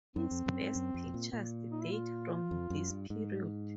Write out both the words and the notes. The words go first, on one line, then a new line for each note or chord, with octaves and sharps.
His best pictures date from this period.
F#2 C4
F2
F#2
G#2
F#2
F2
B2
A#2
A#2
D#4
E4
F4
F2
F#2
G2
G#2